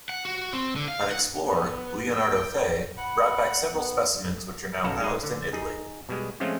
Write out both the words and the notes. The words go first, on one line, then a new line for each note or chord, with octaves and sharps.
An explorer, Leonardo Fea, brought back several specimens which are now housed in Italy.
F#5
F#4
C4
D3
F5
F#5
B3
G5
F#5 B5
B3
B1 C#4 F#4 A4 F5 A#5
G#3 D#4 G#4
D3
D#4 G#4
B2 G3 G#3
F3 G#3 A3 C4 C#4 F4